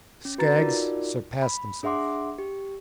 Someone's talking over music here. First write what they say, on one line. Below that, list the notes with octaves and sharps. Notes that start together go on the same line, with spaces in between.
Skaggs surpassed himself.
C#4
F#4 B4 A#5 A6
D#4 F4 F#4 A#4 D5
B5
D4 G#4 E5 F#5 C6 D6
G4